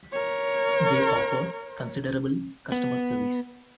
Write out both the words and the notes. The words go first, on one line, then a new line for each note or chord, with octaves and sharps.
They offer considerable customer service.
A#4 C#5
B3